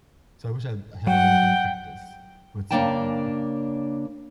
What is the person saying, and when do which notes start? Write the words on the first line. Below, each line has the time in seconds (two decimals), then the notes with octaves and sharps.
So I wish I had had a way of, like, practice with someone more.
1.07 F#3 F#5 G5
2.71 C#3 A#3 D4 G5 A5